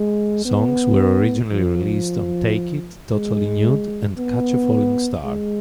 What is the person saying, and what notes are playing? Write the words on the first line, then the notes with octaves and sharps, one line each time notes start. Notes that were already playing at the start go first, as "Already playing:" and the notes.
Songs were originally released on "Take It", "Totally Nude", and "Catch a Falling Star".
Already playing: G#3
B3
F3
G#3
B3
G#3